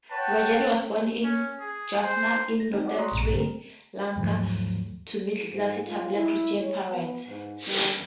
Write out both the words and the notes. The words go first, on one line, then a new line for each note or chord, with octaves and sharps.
Rajani was born in Jaffna, in northern Sri Lanka, to middle-class Tamil Christian parents.
B4 C#5 F#5 G5 A5
C#4
G#4
C5
A#6
C4 D#4 G#4
F#4 C#5 D5
A#5 C6 C#6 D#6 F#6
A#1 G2 B2 A#5
D3 G3 C4 A#4
D#2 G#2 D#3 F3 F#3 A3
G#2
F4
E4
C#5
B3
G#2
G3